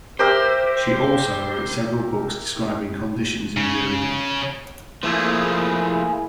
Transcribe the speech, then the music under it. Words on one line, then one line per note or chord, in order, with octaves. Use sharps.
She also wrote several books describing conditions in Germany.
G4 A#4 C5 E5
C#3
F3 A3 A#3 E4 G#4